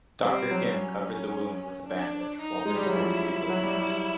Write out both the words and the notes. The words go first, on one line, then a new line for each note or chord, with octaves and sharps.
Doctor Kim covered the wound with a bandage while disappointingly looking at me.
G3 C4
F#3
C#4
D4
D#4
G#3
G3
F#3
F3 E4
F#3
G3
G3